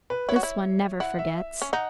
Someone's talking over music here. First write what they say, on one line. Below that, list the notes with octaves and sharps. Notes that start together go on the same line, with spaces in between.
"This one never forgets!"
B4
E4 C#5
F#4
E4
E4 F#5
E5
C#4
D#4 F#5